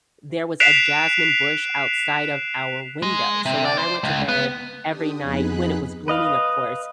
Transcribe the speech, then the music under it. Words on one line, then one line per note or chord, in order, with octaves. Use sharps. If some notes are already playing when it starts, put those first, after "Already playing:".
There was a jasmine bush outside of our window, so when I went to bed every night, when it was blooming of course,
F#6 B6 C7 D7 E7 F7
G#3
C3
D5
C5
C#2
B3
D4 G4 D#6
F2 B3 D#4 G#4 B5 F#6
B4 D#5 F5